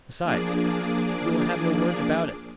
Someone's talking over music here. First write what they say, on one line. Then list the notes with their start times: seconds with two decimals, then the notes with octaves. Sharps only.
Besides, we will have no words about it.
0.23 F3 A#3 D4 G#4 D5